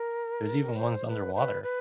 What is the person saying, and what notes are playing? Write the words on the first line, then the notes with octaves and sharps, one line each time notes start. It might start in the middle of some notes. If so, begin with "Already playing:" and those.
There's even ones underwater.
Already playing: A#4
C5
C5
B4
C5
B4
B4